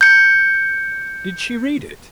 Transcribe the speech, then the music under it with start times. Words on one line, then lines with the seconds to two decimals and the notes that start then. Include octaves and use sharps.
"Did she read it?"
0.01 G6 C#7